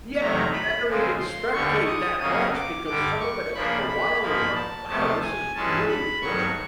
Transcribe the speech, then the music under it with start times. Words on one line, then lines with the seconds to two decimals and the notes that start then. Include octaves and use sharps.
Yeah, and I don't even spectate that much because some of it, after a while, you're like, "Wow, this is really point
0.19 E2 C3 D#3 F#3 A3 A#5
0.53 B5
0.86 C#3 F3 G#3 C4
1.19 C6
1.53 D#2 D3 G3 C#6
1.86 D#6
2.20 F2 C#3 F#3 A#3 C#4 D#6
2.54 D6
2.87 G2 D3 G3 D6
3.20 C#6
3.54 C#3 F3 A#3 D4 B5
3.88 B5
4.21 G#2 F3 A#3 B5
4.55 A5
4.88 C3 F3 A3 A5
5.22 G#5
5.54 G2 E3 G#3 C#4 A5
5.88 B5
6.22 G2 D#3 F#3 C#6